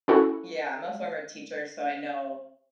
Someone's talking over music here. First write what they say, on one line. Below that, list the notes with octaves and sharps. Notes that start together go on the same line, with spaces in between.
Yeah, I'm a former teacher, so I know
C#4 E4 F#4 A4